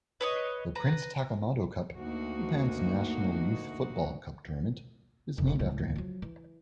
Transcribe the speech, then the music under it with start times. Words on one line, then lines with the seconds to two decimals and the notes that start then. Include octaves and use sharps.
The Prince Takamado Cup, Japan's national youth football cup tournament, is named after him.
0.21 B4 C#5 D#5
0.75 B4 A#5
1.96 D2 A#3 D#4 F#4
5.38 F1
5.55 C#2 A2
5.96 F3 F#3
6.22 E3